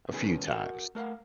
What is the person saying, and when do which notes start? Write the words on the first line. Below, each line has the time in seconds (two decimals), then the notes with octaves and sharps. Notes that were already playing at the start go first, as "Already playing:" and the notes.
a few times.
0.12 C2 B2 D#3 C#4 G#4 B4
0.49 F#4 A#4 F#5
0.95 A3 A#4 F5 F#5